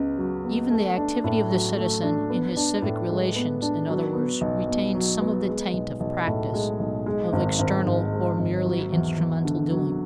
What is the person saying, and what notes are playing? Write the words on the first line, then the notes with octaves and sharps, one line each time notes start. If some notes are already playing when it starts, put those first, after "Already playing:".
Even the activity of the citizen in his civic relations, in other words, retains some of the taint of practice, of external or merely instrumental doing.
Already playing: C#2 C#3 B3
F#3
B3
A3
D4
A2
F#3
A3
D4
B3
D4
A2
G#3
B3
D4
F#3
B3
B1
B2
F#3
B3
G#3
B1
B1
A2
G#3
B1
G#3
G#1
G#1
G#2
G#3
G#1
F#3
E2
E2
D3
F#3